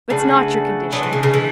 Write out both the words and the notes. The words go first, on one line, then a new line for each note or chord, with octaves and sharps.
It's not your condition.
C#3 A3 D4 F#4 B4
F#3 G#3 D4 G#4 B4
E3
C#3
C#3
E3